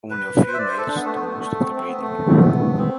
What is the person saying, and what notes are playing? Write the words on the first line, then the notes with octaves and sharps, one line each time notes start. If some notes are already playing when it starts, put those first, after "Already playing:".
Only a few males do most of the breeding.
B4
C5
E5
D5
C5
A4
D4
B3
A3
B3
A3
A3
C4
C4
B3
A3
C4
B3
C4